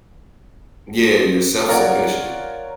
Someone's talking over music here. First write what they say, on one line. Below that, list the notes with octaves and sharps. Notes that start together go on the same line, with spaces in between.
Yeah. You're self-sufficient.
F4 A#4 C#5 D5 F#5